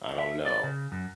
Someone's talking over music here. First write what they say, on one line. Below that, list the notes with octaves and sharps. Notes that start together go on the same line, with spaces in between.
I don't know,
E5
D5
C#3
F#2